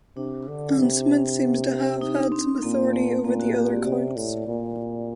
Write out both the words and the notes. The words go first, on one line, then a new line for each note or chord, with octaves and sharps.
Ansemund seems to have had some authority over the other counts.
C3 D4
D3
C3
D#4
D4
C4
C4
A#2 A#3
A3
A#2 A#3
F#4
G4
D5
C3 D5
A2
A#2